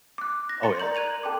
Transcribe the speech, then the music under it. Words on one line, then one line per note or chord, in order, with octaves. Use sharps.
Oh, yeah.
D6 F#6
A#6
C6 C#6 A6 C#7
A#4 D5 A#5 G6 F#7
F#6 G#6 D#7 F7 F#7
A4 G5 A5 C6 D6